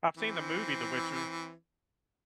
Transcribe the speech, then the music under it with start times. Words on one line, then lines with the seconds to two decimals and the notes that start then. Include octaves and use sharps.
I've seen the movie The Witcher.
0.17 E3 C4